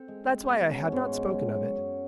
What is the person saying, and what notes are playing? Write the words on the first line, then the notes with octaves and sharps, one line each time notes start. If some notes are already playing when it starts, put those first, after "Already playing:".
That's why I had not spoken of it.
Already playing: C4 A4
G#3
C4
B2
C#4
G#2
G#3
C#4
F#3
F#2